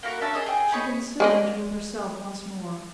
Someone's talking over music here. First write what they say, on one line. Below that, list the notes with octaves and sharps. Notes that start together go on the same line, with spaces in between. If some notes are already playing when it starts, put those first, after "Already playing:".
She considered with herself once more.
A#3 E4 F#4 A#4
C#4 D4 E5 A5
G#4 D#5 E6
G#4 G5 G#5
D#4 C#5 G#5 B5
G#3 D5 D#5